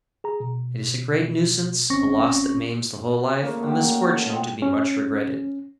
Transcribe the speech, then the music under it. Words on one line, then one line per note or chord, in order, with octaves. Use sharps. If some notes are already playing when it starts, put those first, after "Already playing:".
It is a great nuisance, a loss that maims the whole life,--a misfortune to be much regretted.
G#4 A#5
B2
G1 C4 C#4 C#6 A#6
A#2 C#3 A3 A#3
F#2 G5
A4 F5
C4 D#5 F#5
C#4